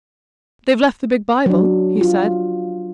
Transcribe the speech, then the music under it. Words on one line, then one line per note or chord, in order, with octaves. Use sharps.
"They've left the big Bible," he said.
F#3 D4
F4